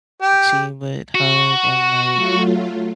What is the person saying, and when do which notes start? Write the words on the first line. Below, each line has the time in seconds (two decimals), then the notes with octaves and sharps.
like, she would hug and, like,
0.22 G4
1.15 F#4
2.12 F#3 A3 F4